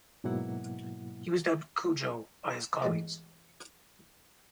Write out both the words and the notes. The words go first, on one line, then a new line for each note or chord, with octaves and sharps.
He was dubbed "Kujo" by his colleagues.
G#2 B2 F#3 A#3 E4 F#5
A1 G#2 G#3 A#3 D6